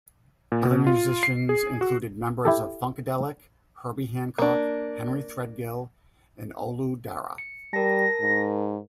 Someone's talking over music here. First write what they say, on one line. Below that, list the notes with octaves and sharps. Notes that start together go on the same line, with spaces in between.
Other musicians included members of Funkadelic, Herbie Hancock, Henry Threadgill and Olu Dara.
A#2
B2
F4
C7
G#4
F#4
E4 G4 A4
A#3 D4
C#7
G3 A#4 A5 A#6
G#2